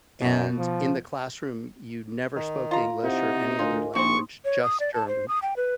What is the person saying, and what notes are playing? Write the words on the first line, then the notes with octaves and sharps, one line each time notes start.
and in the classroom, you never spoke English or any other language, just German.
F#2 B2
F3
D#3
F4 A#5
C3 D#4 E4 C5 F#5
D2 F4 A#4 D#5 G#5
A#1 A#3 C4 D#4 C5 C#6
C#5
D#6
D5
A5
C5
D#6
G5
B4